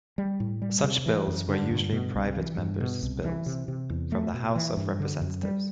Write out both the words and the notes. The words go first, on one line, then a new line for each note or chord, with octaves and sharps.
Such bills were usually private member's bills from the House of Representatives.
G3
A2
G3
C3
E3
F#2
D3
G2
B2
C2
E3
G2
B2
C2
E3
C3
C3
E2
A3
B2
E3
G2
D3
F#2
G3